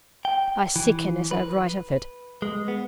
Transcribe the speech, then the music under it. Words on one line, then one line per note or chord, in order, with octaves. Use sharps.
I sicken as I write of it.
G5
E3
B4
G#3
B3